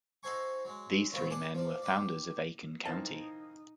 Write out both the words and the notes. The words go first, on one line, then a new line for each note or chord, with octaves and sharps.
These three men were founders of Aiken County.
D#4 F#4 A4 C5 G#5 C#6
F#3 G#3
C#2 A#2 D#3 F#3 B3 C4
G#4 D5 F#5 A5
F3 D5
G4 D5
E3 A#3 C4 D#4 A5